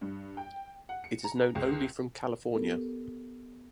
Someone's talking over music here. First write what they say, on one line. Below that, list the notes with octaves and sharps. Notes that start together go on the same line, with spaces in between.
It is known only from California.
G2
G5
F#5
C#7
A#5
C#2
B3 G4 A4 A#4